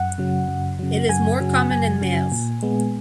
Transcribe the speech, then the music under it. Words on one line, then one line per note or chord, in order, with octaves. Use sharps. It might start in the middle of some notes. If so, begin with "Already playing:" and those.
It is more common in males.
Already playing: F#2 F#5
C#3 F#3
F#2
C#3 F#3
F#2 G#5
C#3 F#3
F#2 G#5
C#3 F#3
A#2
G#3 B3